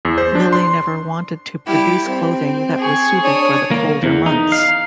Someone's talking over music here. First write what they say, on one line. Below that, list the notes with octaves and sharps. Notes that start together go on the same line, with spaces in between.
Lilly never wanted to produce clothing that was suited for the colder months.
E2
C5
D4
C6
G3 E4 G4
C4
G#4 C#6
D4 C#5 D#6
A#3
E2
D#4
F5